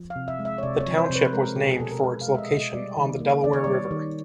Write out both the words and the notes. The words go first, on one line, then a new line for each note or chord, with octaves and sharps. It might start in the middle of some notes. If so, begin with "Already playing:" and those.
The township was named for its location on the Delaware River.
Already playing: F3
F5
C3
E5
G#3
E5
C#5
C3 D5
C#5
F3
C5
C3
B4
G#3 A#4
B2 G4
G#4
B2 A4
A#4
G#3 B4
F5
G#3
E5
D#5
B2
D#5
G3 D5
D#3
A#3
D#3 D5
C#5
G3 D5
D#3